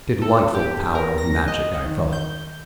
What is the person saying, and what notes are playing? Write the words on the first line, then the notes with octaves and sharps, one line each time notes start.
"Delightful power of magic!" I thought.
A4
G4
A#4
A#6
D#5
D#3
G6